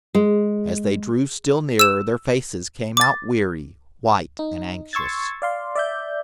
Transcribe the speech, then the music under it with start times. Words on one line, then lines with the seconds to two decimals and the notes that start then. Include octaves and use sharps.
As they drew still nearer their faces came out weary, white, and anxious.
0.15 G#3
1.79 E6 E7
2.97 D6 A6
4.39 D#4
4.93 C6 C#6 E6 G#6 A6
5.42 D5 F5 C6
5.75 D5 E5 G6